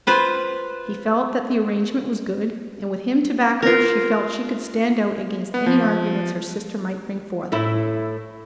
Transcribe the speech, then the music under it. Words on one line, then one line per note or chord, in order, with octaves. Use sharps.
He felt that the arrangement was good, and with him to back her she felt she could stand out against any arguments her sister might bring forth.
F4 B4 C5
F4 A#4
B3
F3
A2 E4